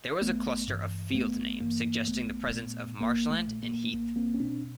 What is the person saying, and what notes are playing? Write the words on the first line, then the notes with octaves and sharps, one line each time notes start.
There was a cluster of field names suggesting the presence of marshland and heath.
A1 A3 B3
G2 E3
C4
A1 A3 B3
G2 E3 A#3
A#1 A3 B3
A#2
A#1 A#3
A3
A#2
A#3
B1 A#3
A#3 C4
C#4
B2 C4 D4